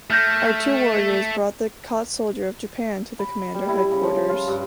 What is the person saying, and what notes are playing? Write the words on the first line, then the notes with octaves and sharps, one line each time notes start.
Our two warriors brought the caught soldier of Japan to the commander headquarters.
A3 F6 G6 A#6
B5
G3
E4
C#3
F3
F4
G2